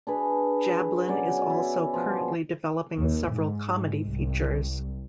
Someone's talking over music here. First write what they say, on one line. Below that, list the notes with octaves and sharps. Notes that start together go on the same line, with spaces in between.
Jablin is also currently developing several comedy features.
D4 G#4 B4
B2 F#3 C#4 D5
E4
B2 F3
D#2
G#2
C2